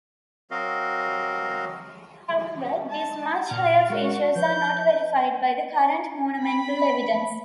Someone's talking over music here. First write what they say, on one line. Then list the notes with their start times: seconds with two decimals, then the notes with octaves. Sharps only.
However, these much higher figures are not verified by the current monumental evidence.
0.51 F#3 C4 F#4 A#4 D#5 F5
2.89 A5
3.51 A#2 F6
3.90 G#3 F#4 A#4 C#5
4.36 F3 B4 C#5 G6
6.42 B5